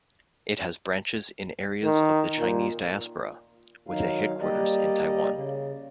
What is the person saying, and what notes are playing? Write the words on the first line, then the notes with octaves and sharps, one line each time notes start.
It has branches in areas of the Chinese diaspora, with a headquarters in Taiwan.
D#3
A#2
D#3 F#3 D#4 F5
G3 A#3 G4 D5 D#5
C#3